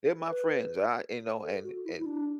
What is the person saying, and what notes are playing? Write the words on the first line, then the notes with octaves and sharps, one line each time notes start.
They're my friends. I you know, and and
B4
A4
F#4
E4
E4
D4